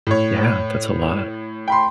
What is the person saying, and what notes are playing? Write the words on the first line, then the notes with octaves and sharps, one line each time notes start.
Yeah, that's a lot.
A2 C#5
G5 B5 C6